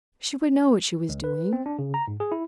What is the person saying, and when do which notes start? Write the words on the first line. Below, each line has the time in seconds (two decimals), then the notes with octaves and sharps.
She would know what she was doing.
1.09 C#2
1.24 B4
1.53 C4
1.66 D4
1.79 C#3
1.94 A#5
2.08 G#2
2.20 G#4
2.32 E4